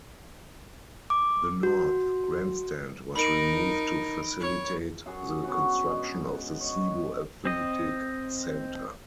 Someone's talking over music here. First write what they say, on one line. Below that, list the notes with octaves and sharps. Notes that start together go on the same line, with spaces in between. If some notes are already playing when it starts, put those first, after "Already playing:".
The north grandstand was removed to facilitate the construction of the Sebo Athletic Center.
D6
F#4
D#4 A#4 B5 D7
C#5
F#2 G#4 F#5
B3 C#4 D4 F#4
G#3
C#5 D#5
C4 D#5